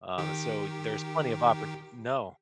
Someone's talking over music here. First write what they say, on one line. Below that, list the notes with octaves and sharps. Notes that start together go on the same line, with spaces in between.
Um, so there's plenty of opport No.
D#3 G4